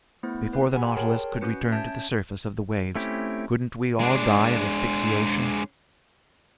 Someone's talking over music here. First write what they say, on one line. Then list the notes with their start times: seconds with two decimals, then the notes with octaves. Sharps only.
Before the Nautilus could return to the surface of the waves, couldn't we all die of asphyxiation?
0.23 A3 B3 E4 C5
0.53 B4
0.73 G4 F#5 G#5 B5
0.97 G#4 A#4 C#5 G5 A5 C6
1.41 C#4 F#4 B4 C#7
1.72 C#4 E5 A5 G6 G#6 D7
2.95 A3 C4 C#4 E4 G4
4.00 G#3 D4